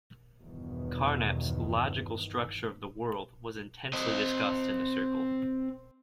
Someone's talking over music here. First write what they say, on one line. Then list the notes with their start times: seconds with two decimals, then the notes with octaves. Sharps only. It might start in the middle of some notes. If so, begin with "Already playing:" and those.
Carnap's "Logical Structure of the World" was intensely discussed in the Circle.
0.42 G1 E2 B2 D#3
3.93 C4 D#5